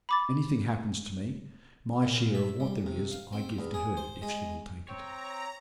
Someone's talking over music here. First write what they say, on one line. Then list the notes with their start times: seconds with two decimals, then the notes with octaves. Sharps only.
If anything happens to me my share of what there is I give to her, if she will take it.
0.09 B5 D6 A6
2.02 A#2
2.35 E5
2.60 G3
2.86 C3
3.11 F5
3.33 C4
3.59 E2
3.74 G#4
3.97 C5
4.22 G#3
4.89 C4 C#5 G5 A#5